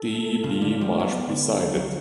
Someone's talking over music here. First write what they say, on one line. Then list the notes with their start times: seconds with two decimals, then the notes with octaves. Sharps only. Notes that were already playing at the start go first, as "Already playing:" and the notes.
T. B. Marsh presided.
Already playing: A4
0.15 A3
0.43 C#3 F4
0.62 D3
0.72 D5
0.81 F3
1.00 F#3 B3
1.28 D3
1.56 F3 F#3
1.76 F#3
1.84 D3